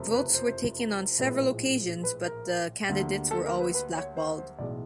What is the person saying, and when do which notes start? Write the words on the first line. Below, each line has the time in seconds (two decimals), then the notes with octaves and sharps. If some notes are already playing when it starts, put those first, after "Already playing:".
Votes were taken on several occasions, but the candidates were always blackballed.
Already playing: F#1 F2 C3 F3 A3
0.13 B4
0.35 C5
1.19 A#1 A2 F3 G#3 B4
2.03 B4
2.25 A#4
2.89 D2 D3 G3 A#3
3.31 A4
3.46 A#4
3.60 B4
3.74 B4
3.95 C#5
4.17 C5
4.38 C5
4.58 B1 A2 E3 G#3 D5